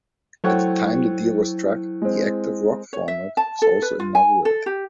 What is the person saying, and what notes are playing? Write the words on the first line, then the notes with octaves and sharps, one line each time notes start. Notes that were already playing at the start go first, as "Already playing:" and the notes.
At the time the deal was struck, the active rock format was also inaugurated.
F#3 A3 E4 C5 C#5 F#5 G5
G#3 C4
C#5
E5
A5
A4
B4
F4
G#5
A4
G4